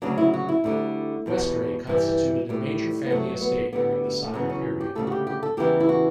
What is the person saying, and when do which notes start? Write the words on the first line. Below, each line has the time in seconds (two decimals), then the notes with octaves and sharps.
Westray constituted a major family estate during the saga period.
0.02 D2 C#3 F#3 D4
0.18 E4
0.34 F#4
0.49 E4
0.64 D2 D3 G3
1.26 E2 B2 G3
1.87 G2 E3 G3
2.49 A2 G3
3.06 B3
3.10 G2 F#3 A3
3.41 B3
3.73 D2 D3 G3 B3
4.24 A3
4.34 E2 C#3 F#3 B3
4.49 C#4
4.81 G4
4.95 D2 C#3 G3 A4
5.07 F#4
5.12 G4
5.27 G4
5.43 A4
5.57 E2 C#3 E3 G3 G4
5.80 E4
5.89 F#4